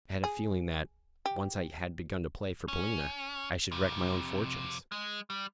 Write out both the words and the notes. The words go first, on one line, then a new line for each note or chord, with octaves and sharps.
I had a feeling that, once I had begun to play for Polina, I should wreck my own fortunes.
G#4
G4
C#4
F2 C3
G#3
G3